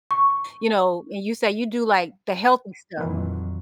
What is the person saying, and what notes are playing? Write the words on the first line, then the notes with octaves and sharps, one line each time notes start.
you know, and you say you do, like, the healthy stuff.
C#6
F2 A#2 D#3 E3 F#3